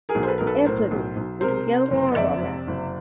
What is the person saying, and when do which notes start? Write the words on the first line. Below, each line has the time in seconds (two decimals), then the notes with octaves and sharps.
Anthony, we can get along on that.
0.09 G#4 A#4
0.15 B1
0.23 C5
0.27 A4 B4
0.38 B1 A#4
0.47 A4 B4
0.65 A2 A#4 C5
0.91 B1
1.16 B1
1.41 C3 A#4 C5
1.67 C3
1.91 F#1
2.12 D#5
2.16 F2 D5 E5
2.42 C3
2.67 F#1